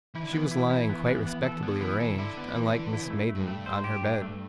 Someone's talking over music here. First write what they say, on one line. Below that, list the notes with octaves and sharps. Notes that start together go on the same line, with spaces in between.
She was lying, quite respectably arranged, unlike Mrs Maidan, on her bed.
E3 E4
D3
E3 B3
E4
E4
B3
B3
B3
A4
D3 B3
E3 E4
E3 A4
C3
D3 E4
B3
E3
E3
E4
G2 A3
A3
G2
A3
C5
G4
D4
A3